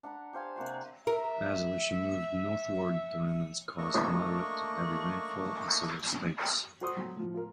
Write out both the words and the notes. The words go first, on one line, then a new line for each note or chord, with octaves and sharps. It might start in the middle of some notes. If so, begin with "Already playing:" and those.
As Alicia moved northward, the remnants caused moderate to heavy rainfall in several states.
D4 F#5 A#5 B5
G4 C5 F5 G#5
C3 A#3 F#4 C6
A#4 E5
A3 A#3 D4 D#5 C#6
F#4 A4 C5 C6 C#6 D#6
F#3
A2 F3
F4 A#4